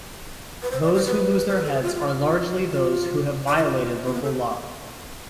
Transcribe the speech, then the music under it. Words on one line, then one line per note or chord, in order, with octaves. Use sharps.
Those who lose their heads are largely those who have violated local law.
B4
C5
D5
C5
B4
C5
B4
A4
G#4
F4
F4
F4
D5
E4
F4
C4
B3
A4